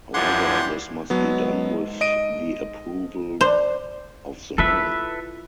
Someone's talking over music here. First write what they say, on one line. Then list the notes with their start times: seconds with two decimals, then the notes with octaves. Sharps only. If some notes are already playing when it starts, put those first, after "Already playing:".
However, this must be done with the approval of the men.
0.14 F#2 E3 F3 D4 G4 F#5 C6 G#6
1.10 G#2 F#3 B3 A4 A5
2.01 D#5 D7 D#7
3.41 D4 C5
4.58 E4 F4 A4 B4 E5